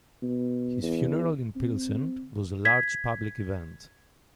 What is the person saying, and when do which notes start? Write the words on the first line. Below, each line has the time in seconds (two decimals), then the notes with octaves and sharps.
His funeral in Pilsen was a large public event.
0.22 B2
0.82 E2
1.56 C4
2.65 G#6 B6